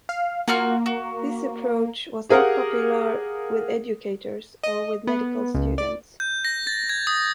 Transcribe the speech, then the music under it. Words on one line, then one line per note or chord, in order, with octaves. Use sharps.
This approach was not popular with educators or with medical students.
F5
A#3 F4 F#4 F6
F#4
G4 G#4 A#4 F5 F#5
D#5
B3
C#2
D5
G6
A#6
A6
G#6
D#6